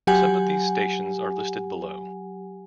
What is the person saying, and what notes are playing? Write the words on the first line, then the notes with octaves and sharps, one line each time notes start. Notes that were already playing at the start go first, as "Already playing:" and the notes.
Some of these stations are listed below.
F#3 G4 F#5 G#5